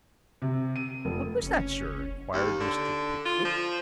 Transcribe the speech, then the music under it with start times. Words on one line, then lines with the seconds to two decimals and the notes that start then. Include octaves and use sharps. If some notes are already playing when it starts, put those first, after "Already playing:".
'What was that, sir?' inquired Mr. Pickwick.
0.42 C3
0.76 D#7
1.05 F1
1.42 F#1 C#4
2.34 D#2
2.60 D3
3.25 F4
3.45 F3